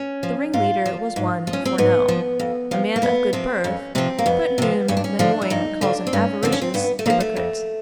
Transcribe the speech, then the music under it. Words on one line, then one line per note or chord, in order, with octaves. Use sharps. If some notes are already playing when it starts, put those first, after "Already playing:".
The ringleader was one Fourneaux, a man of good birth, but whom Le Moyne calls an avaricious hypocrite.
Already playing: C#4
F3
G#2 F4
F3
G#2
F3
C#4
C4
G#2 B3
F3
F2
C3 F3
A#3
F2 B3
C3 F3 C4
F2 C#4
C3 F3 C4
A#3
F2 B3
C3 F3
G2 C#4
D4
C#4
D3 F3 D4
E4
G2 D#4
D3 F3 D4
C4
G2 C#4
D3 F3 C4
C#4
C4
G2 B3
A3
D3 F3 A#3
A3
F2